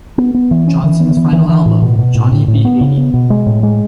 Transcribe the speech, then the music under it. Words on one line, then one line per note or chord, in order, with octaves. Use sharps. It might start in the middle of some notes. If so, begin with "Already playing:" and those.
Johnson's final album, Johnnie Be Eighty.
B3
B3
E3
C#4
E3
B3
E3
E3
E3
A2
B2
B2
A2
A2
A2
B3
C#3
B3
B2
G#3
A2
G#3